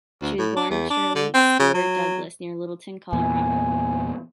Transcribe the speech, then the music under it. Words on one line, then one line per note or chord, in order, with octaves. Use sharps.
She was born Shirley Stewart Douglas near Littleton, Colorado.
D2
A2
D4
E2
D4
D3
C4
C#3
F#3
E2 A#2 G#5